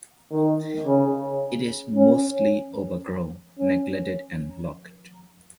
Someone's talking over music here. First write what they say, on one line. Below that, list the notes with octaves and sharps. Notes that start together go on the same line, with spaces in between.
It is mostly overgrown, neglected and locked.
D#3
C#3
C#4
C#4